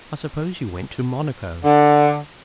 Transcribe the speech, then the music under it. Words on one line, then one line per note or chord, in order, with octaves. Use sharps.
"I suppose you went to Monaco?"
D3